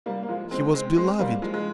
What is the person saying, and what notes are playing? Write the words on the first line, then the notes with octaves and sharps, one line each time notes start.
He was beloved.
G3 A#3
A#3
F3 G#3
G#3 C4
G#3 C4
G#3 C4
G3 A#3
F3 G#3
G#3